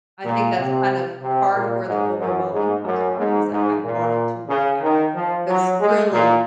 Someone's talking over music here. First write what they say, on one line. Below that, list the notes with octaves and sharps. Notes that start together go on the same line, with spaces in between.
I think that's kind of part of where the overwhelming comes from because I I want it to work out. 'Cause really,
A#2
C3
C3
A#2
G#2
F#2
G#2
F#2
G#2
G#2
A#2
C#3
D#3
F3
F#3
G#3
A#2